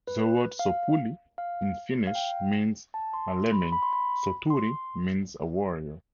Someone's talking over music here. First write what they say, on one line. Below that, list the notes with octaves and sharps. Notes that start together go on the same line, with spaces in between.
The word "sopuli" in Finnish means a lemming, "soturi" means a warrior.
B4
F5
F5
F5
G5
A5
C6
C6
B5
B5
C6
B5
C6